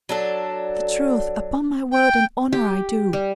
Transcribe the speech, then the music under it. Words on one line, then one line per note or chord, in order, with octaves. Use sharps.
'The truth, upon my word and honour I do.
F#3 D4 A4
G5
G4
G3